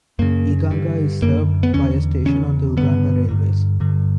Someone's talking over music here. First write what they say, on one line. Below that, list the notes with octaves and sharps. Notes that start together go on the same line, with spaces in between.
Iganga is served by a station on the Uganda Railways.
F#2 C#3 A#3
G2 D3
F#2 D3 A#3
B3
E2 D3 C#4
E2 C#3 C#4
G2 D3 B3
G2 D3
G2 D3